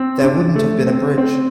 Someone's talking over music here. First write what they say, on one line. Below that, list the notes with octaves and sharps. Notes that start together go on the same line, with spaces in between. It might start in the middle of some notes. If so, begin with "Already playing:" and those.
There wouldn't have been a bridge.
Already playing: C4
D4
A3
C4
C4